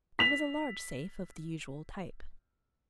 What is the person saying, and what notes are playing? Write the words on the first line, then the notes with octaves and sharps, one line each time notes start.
It was a large safe of the usual type.
B6 F7